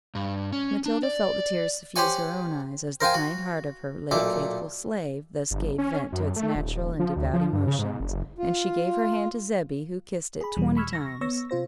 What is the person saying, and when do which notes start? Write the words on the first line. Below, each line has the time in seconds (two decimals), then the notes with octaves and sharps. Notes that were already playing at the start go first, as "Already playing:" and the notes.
Matilda felt the tears suffuse her own eyes, as the kind heart of her late faithful slave thus gave vent to its natural and devout emotions; and she gave her hand to Zebby, who kissed it twenty times.
0.15 G2
0.52 C#4
0.86 D4
1.03 D5
1.96 G4 C5 C#5 F#5 G#5 C#6
3.01 A#4 C5 F5 G5 G#5
3.14 F#4
4.11 B1 A#2 A3 D6
5.51 G1
5.78 C#4
6.12 F#2
6.36 A3
6.56 D#1
6.99 F3
7.16 D2
7.33 F3
7.53 G2
7.67 C#3
7.79 G#2
8.00 F#1
8.38 F4
10.41 G#4 B5
10.57 E2 B2 E3 G3
10.77 B5 C#6 E6 F6 G#6
10.93 C#6 A#6
11.21 B3 C#5 C#6 E6 A#6
11.50 C3 F4 C5 A#6